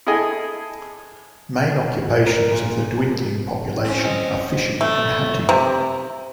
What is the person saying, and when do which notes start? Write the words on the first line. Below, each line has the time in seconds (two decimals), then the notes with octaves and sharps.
Main occupations of the dwindling population are fishing and hunting.
0.07 E4 G#4 A4 D#5 G#5
2.26 A#4
2.51 A#2
3.84 C4 C#4
4.04 D#5
4.81 A3
5.49 C3